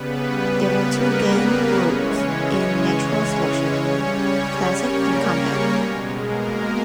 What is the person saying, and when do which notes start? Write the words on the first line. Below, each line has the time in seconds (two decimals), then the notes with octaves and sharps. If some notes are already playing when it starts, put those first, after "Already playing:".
There are two game modes in "Natural Selection": Classic and Combat.
Already playing: C#3 G3 B3 B4
0.27 B3 B4
0.77 A#3 A#4
1.27 A#3 A#4
1.76 C#3 E3 G#3 C#4 C#5
2.26 C#4 C#5
3.75 C#3 G3 C#4 C#5
4.25 C#4 C#5
4.74 A#3 A#4
5.74 B2 G#3
6.23 A#3 A#4